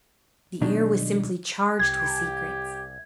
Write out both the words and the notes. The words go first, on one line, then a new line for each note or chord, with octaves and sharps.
The air was simply charged with secrets.
B2 D#3 F#3 G#3 D4 D#4
C2 G4 G#6